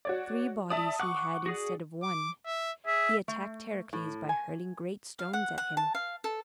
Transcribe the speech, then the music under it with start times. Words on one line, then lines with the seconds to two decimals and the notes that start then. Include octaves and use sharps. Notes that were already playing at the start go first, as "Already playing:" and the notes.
Three bodies he had instead of one; he attacked Heracles by hurling great stones at him.
0.05 F#4 C#5 D5
0.70 D5 E5 A5 D#6
1.00 F#5 C#6 D6 F#6
1.46 F#4 G#4 D5
2.03 D6
2.46 E5
2.87 G#4 E5
3.28 A3
3.93 A2
4.29 G#5
5.19 F5
5.33 F#5
5.58 F#5
5.77 A5
5.95 F5
6.24 A4